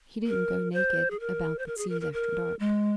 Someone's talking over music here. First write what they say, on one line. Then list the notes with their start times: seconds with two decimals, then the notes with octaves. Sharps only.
He didn't go naked about the seas after dark.
0.27 A#4
0.73 C5
1.11 G#4
1.20 A#4
1.59 C5
1.67 A#4
1.78 G#4
1.89 A#4
2.01 A#4
2.13 A#4
2.60 G#3